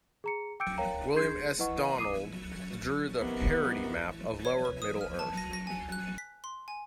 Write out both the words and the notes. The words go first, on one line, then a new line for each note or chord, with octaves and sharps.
William S. Donnell drew the "parody map" of Lower Middle Earth.
G#4 A#5 C#7
G5 D6 E6 G6 C#7 D7
A#4 C#5 F5 G5 A#5
D4 G#4 C6 G6 G#6 C7
E4 B4 D#5 F#5 C#6
D6 D#6 C7 D#7
C3 D#3 A#3 B3
C#5
B4
D#6
F6
A5
A#6
A#6
G#5
F#6
B6
C6
G#5